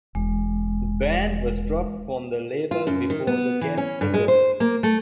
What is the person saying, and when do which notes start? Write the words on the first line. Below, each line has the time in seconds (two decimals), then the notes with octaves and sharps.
The band was dropped from the label before the Get the Girl!
0.15 E1 G#3
2.71 F4
2.87 F#2
3.10 D#3
3.27 B3
3.61 E3
3.78 C#4
4.01 G2
4.14 G#3
4.28 C5
4.60 A#3
4.83 A3